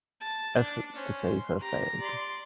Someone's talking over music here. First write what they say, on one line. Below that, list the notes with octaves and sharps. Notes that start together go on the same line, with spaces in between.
Efforts to save her failed.
A5
D4
C#4 C5
C6
G4 A#5
D5 C6